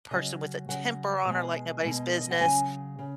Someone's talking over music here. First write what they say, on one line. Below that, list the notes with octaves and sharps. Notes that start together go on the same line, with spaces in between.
person with a temper on her like nobody's business,
C#3 F#3 D#5
C#3 F#3 F#5
B2 G#3
B2 G#3
D#5
F#5
C#3 F#3 G#5
C#3